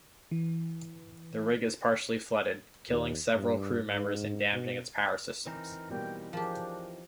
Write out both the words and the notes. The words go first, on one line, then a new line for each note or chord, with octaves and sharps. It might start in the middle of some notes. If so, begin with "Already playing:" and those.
The rig is partially flooded, killing several crew members and damaging its power systems.
E3
D#2
G2
G#2
B2
E3 C4 D#4 A#4
B2 G3 A#3 G5
F3 D4 G4 G#4 A#4